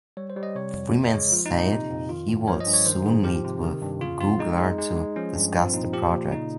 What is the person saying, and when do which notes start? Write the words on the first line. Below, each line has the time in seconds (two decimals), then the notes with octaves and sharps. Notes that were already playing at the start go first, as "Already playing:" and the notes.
Freeman said he would soon meet with Coogler to discuss the project.
0.17 G3 C#5
0.30 C5
0.36 G3
0.43 D#5
0.55 C3 C#5
0.75 F2
0.94 C#3
1.07 D#5
1.13 G#3 C#5
1.32 F3 F4
1.46 D#4
1.52 A#2
1.58 D#4
1.72 C3
1.90 F2
2.09 D#3 F4
2.28 G2
2.47 F3 C#5
2.60 D#5
2.67 G2
2.74 C#5
2.85 D#3 C5
3.06 G#2 G#4
3.24 F3 G4
3.44 C3
3.63 D#3
3.82 G2
4.01 C#3 F4
4.20 F2 F4
4.39 G#3 D#4
4.59 G#3
4.78 G#3
4.97 G#3
5.16 F3 C#4
5.35 G2
5.55 F3 C4
5.74 A#2 D#4
5.93 F3 G4
6.12 A#2
6.31 C#3 D#4